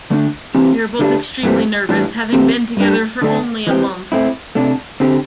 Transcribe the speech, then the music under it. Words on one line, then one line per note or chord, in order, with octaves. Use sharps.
They were both extremely nervous, having been together for only a month.
D3 A3 D4
E3 C4 E4 G4
D3 A3 D4 G4
G2 E3 A3 C4 G4
A2 E3 G3 D4
E3 A3 C4 G4
G2 G3 D4 G4
D3 A3 D4
E3 C4 G4
A2 A3 C4 E4
C3 A3 D4
D3 C4 G4